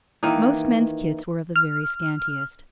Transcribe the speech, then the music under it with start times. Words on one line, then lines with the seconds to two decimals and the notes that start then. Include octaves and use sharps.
Most men's kits were of the very scantiest.
0.23 D#3 E3 A#3 D#4
1.56 F6